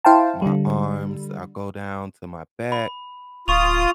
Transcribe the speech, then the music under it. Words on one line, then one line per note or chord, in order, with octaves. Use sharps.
my arms, I go down to my back.
E4 C5 F5 G5 A5
D3 G3
B5
D1 F4 C#6 D#6 F7